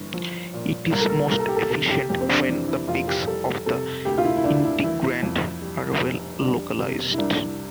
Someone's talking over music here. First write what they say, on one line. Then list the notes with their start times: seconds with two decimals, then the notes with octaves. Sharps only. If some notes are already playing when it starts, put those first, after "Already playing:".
It is most efficient when the peaks of the integrand are well-localized.
Already playing: G1 E3
0.14 F3
0.53 A#2
0.92 C2 A#4
1.01 A4
1.10 A#4
1.31 C2 A#4
1.40 A4
1.48 G4
1.56 A4
1.70 C3 A4
1.90 G4
2.09 F2 G4
2.21 C4
2.29 D4
2.49 E3 D4
2.68 E4
2.88 F1 F4
3.08 G4
3.27 G3 A4
3.66 C3 A4
4.05 D2 G4
4.18 F4
4.25 E4
4.37 E4
4.44 D2 D4
4.64 E4
4.83 E3 E4
5.23 F2
5.62 G3
6.01 F1
6.40 G3 D4
6.79 C3
7.14 E4
7.18 C2 D4